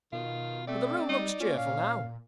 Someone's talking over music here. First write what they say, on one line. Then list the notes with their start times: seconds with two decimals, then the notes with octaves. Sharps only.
But the room looks cheerful now.
0.12 B2 D#3 F4
0.68 A3 C4 D5
1.09 G3 D#4
1.40 A#3 C#4 F4
1.57 A#2 F5